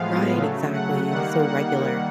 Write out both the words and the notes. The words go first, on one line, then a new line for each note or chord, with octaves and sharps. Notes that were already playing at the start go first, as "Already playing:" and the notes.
Right, exactly, so regular.
Already playing: A2 F3 G#3 B3 F5
C#3 F#3 A3
F#5
D#3 G3 A#3 F#5
F#5